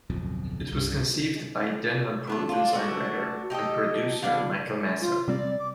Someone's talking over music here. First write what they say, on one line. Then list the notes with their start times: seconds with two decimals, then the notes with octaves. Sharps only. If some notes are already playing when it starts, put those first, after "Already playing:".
It was conceived by then-unproven songwriter and producer Michael Masser.
0.10 D1 B1 F2
0.72 C2 G2
2.27 A3 B3 D4
2.49 D4 F4
2.73 A3 D4 F#4
3.50 D#4 G4 A4 D#5
4.22 B3 D4 F5
5.01 F4
5.28 C3 G3 C4 D5
5.60 D6